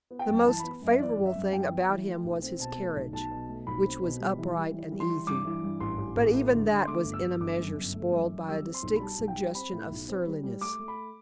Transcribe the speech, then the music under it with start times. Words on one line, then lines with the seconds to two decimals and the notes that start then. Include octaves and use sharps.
The most favorable thing about him was his carriage, which was upright and easy, but even that was in a measure spoiled by a distinct suggestion of surliness.
0.11 B3
0.19 G5
0.28 F#2
0.46 E3 A5
0.60 B3 B5
0.82 F#2 E5
0.99 E3 D5
1.17 F#2
1.26 E5
1.35 F#2
1.53 F#2 G5
1.71 B3
1.89 E3
2.07 A3
2.24 B1
2.42 C4
2.60 B2 A5
2.77 A3
2.95 B1
3.13 B1 A5
3.31 B2
3.49 A3
3.67 B1 B5
3.84 C4
4.02 B2
4.20 G3
4.38 E3
4.56 G3
4.73 E3
4.92 G3
5.00 C6
5.09 E3
5.27 G2 D6
5.45 E3
5.63 G2
5.80 A1 C6
5.98 A1
6.16 A1
6.34 A3
6.52 D3
6.69 D3
6.78 C6
6.87 A3 D6
7.05 G1
7.14 E6
7.23 G1
7.41 G1 D6
7.59 F#2
7.77 G1
7.94 A3
8.11 F#2
8.29 F#2
8.48 G3 E6
8.66 C4
8.74 C6
8.83 B1
8.96 B5
9.01 G3 A5
9.19 B1
9.28 G5
9.37 G3
9.55 C4 B5
9.72 A2
9.90 B1
10.08 C4
10.26 G3
10.43 G3
10.61 A3 D6
10.79 A3
10.88 B5